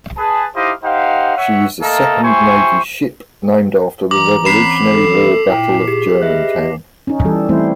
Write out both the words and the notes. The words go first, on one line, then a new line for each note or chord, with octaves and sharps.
She is the second navy ship named after the Revolutionary War Battle of Germantown.
G#4 B4 A5
D#4 E4 G4 C5 D#5 F5
D#4 G4 C5 F5 F#5
C#5 E5 F#5
A3 A#3 A4 D#5 F5 A#5
E4 G4 C5 G#5 C#6
E3 A#5 D6 F#7
C4 C#4 B5 B6 C7 E7
A4
A#2 E4 G5
G4 G#4
G4 B4 D#5 E5 F#6
C#4 D#4
E3 G3 A4
E3 G3 A3 C4 E4 C5